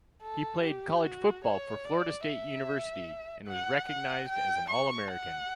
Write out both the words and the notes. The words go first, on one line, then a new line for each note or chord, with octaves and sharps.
He played college football for Florida State University, and was recognized as an All-American.
A4
G4
F#4
C#5
D5
E5
F#5
F#5
G5
C#6
F#5